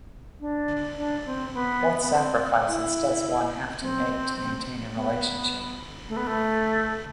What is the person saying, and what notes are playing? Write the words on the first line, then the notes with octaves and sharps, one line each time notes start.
What sacrifices does one have to make to maintain a relationship?
D4
D4
C4
B3
B3
C4
E4
C4
B3
A3
B3
A3